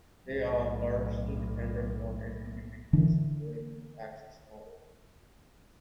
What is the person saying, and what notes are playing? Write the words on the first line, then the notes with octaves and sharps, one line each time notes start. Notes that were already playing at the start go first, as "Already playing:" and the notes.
They are largely dependent on an individual's ability to access knowledge.
B1 A2
D3 E3 D4